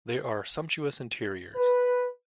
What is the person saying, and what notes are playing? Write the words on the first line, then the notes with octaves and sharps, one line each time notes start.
There are sumptuous interiors.
B4